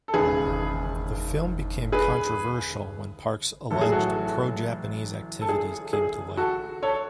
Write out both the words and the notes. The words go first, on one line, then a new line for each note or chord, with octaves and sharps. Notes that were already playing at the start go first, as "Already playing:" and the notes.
The film became controversial when Park's alleged pro-Japanese activities came to light.
A4
E1 D#2 C#3 G#4 B4
G#4 B4
A1 A2 F#3 A4
G#4
F#4 A4
A4
G#4
G#4
F#4 A4
A4 C#5